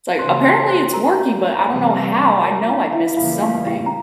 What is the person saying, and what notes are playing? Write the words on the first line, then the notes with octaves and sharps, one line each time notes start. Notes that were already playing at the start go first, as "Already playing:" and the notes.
it's like, "Apparently it's working, but I don't know how. I know I missed something
C#3 E3 A#3 C#4 C5 C6
C5 C6
C5 C6
A#4 A#5
C3 E3 G3
A#4 A#5
F4 F5
E4 E5
E2 C#3 E3 G3 A#3 F4 F5
F4 F5
G4 G5
A#5